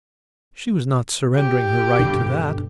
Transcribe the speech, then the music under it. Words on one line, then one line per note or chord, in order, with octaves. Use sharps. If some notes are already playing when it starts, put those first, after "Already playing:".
She was not surrendering her right to that.
G4
G2 B2 D3